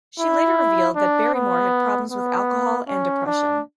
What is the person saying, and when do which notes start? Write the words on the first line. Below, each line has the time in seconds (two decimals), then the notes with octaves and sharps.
She later revealed that Barrymore had problems with alcohol and depression.
0.20 E4
0.96 D4
1.35 B3
2.12 B3
2.88 C#4
3.26 D4